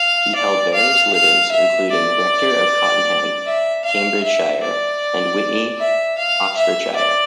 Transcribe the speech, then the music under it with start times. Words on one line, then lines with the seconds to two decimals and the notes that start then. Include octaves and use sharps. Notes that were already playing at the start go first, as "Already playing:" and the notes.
He held various livings, including rector of Cottenham, Cambridgeshire, and Witney, Oxfordshire.
Already playing: F5
0.35 D5
0.74 F5
1.13 F5
1.51 E5
1.91 D5
3.46 E5
3.85 F5
4.24 E5
4.62 D5
5.79 E5
6.18 F5
6.57 E5
6.96 D5